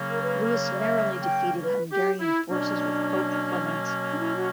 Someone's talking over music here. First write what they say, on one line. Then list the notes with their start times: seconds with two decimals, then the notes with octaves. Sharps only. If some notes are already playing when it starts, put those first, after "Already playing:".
Louis narrowly defeated Hungarian forces with Pope Clement's help.
Already playing: C#3 F#3 A#3 C#4
0.11 A#4
0.22 B4
0.51 C#5
0.73 D5
0.80 E5
1.22 G5
1.64 B4
1.92 G4
2.20 E4
2.49 B2 F#3 A#3 C#4 D4
4.10 D4
4.18 E4
4.35 F#4